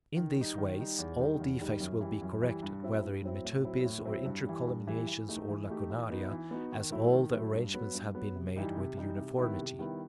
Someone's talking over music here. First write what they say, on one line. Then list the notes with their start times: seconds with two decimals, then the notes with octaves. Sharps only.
In these ways all defects will be corrected, whether in metopes or intercolumniations or lacunaria, as all the arrangements have been made with uniformity.
0.17 D#3
0.37 G3 D#4
0.58 D#3
0.78 G3 D#4
0.99 E2
1.19 D#3 G3 D#4
1.40 E2
1.60 D#3 G3 D#4
1.80 F#2
2.01 E3 G3
2.21 F#2
2.41 E3 G3
2.63 G2
2.83 F#3 C4 E4
3.03 G2
3.24 F#3 C4 E4
3.44 A2
3.64 F#3 C4 E4
3.85 A2
4.05 F#3 C4 E4
4.26 G2
4.47 E3 G3
4.67 G2
4.87 E3 G3
5.08 E3
5.28 A3 D#4 G4
5.48 E3
5.69 A3 D#4 G4
5.90 E3
6.10 B3 D#4 F#4
6.31 E3
6.51 B3 D#4 F#4
6.72 D#3
6.92 F#3 A3 E4
7.13 D#3
7.33 F#3 A3 E4
7.53 G2
7.74 F#3 B3
7.94 G2
8.15 F#3 B3
8.36 C3
8.56 E3 G3 D#4
8.76 C3
8.97 E3 G3 D#4
9.17 C3
9.38 D#3 G3 B3 E4
9.58 C3
9.79 D#3 G3 B3 E4